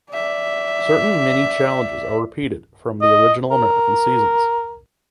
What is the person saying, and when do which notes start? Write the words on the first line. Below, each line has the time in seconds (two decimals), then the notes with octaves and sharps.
Certain mini challenges are repeated from the original American seasons.
0.12 D5 E5
3.02 D#5
3.51 A#4